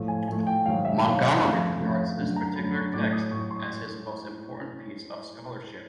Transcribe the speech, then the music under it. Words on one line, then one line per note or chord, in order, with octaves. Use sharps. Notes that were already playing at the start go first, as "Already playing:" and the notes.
Montgomery regards this particular text as his most important piece of scholarship.
Already playing: A2 F3 A3
G#5
A2 F3 A3 G#5
G5
G#2 D#3 F#3 F5
E5
G#2 D#3 F#3 F5
F#5
F2 C#3 F3 A3 F5
F2 C#3 F3 A3
F#2 D3 F#3 A3
A#5
F#2 D3 F#3 A3 B5
C#6
A2 F#3 A3 D6
D#6
A2 F#3 A3 C#6
C6